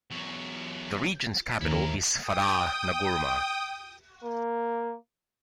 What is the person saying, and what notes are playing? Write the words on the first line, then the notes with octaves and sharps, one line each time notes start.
The region's capital is Fada N'gourma.
E2 F#3
D#2 E4 A#4
G5 D#6
A#3